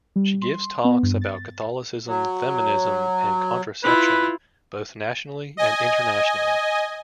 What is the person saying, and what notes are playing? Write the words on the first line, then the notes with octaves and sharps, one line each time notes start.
She gives talks about Catholicism, feminism, and contraception, both nationally and internationally.
G3
C6
B3
G2
A6
F#3
E4 F4 B4
D#5 G#5